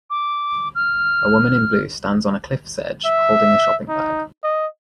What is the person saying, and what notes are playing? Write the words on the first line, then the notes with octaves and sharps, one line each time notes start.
A woman in blue stands on a cliff 's edge holding a shopping bag.
D6
F6
E5
D#4
D#5